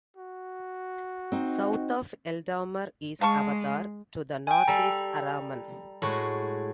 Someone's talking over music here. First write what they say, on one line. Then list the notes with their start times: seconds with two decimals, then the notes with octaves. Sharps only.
South of Eldamar is Avathar; to the north is Araman.
0.16 F#4
1.32 C4 D#4
3.21 G#3 F5 A5 C#6
4.47 G5 G#5
4.68 G3 A4 A#5
6.02 A2 G#3 F#4